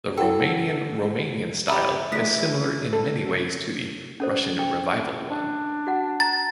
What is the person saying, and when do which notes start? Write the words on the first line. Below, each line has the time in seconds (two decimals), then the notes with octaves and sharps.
The Romanian Romanian style is similar in many ways to the Russian Revival one.
0.17 E4 A4 F#5 G5
1.68 C#4 G4 E5 A#5 B5
2.12 E3 G#3 A3 B6
2.93 A4
4.20 C#4 A4 C5
4.59 G5
5.28 D4
5.87 F#4 F#5
6.20 A#5 A6